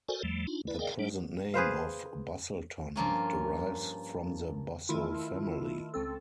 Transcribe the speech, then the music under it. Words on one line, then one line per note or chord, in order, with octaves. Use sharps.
The present name of "Busselton" derives from the Bussell family.
F#4 A4 A#4 C5 D5 G#5
E2 F3 G3 A3
D4 D#4 F4
E4 B4 D5
G#4 A#4 D5 D#5 F5 G5
G3 D4
G#4 B4 C5 F5
G2 F3 A#3 C#4
D#3 A3 E4 F4
C#2 C4 A4